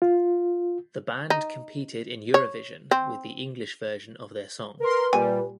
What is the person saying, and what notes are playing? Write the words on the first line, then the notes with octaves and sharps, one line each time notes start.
The band competed in Eurovision with the English version of their song.
F4
D#4
C#5
C4
A#4 B4 C6
A#2 G3 G#5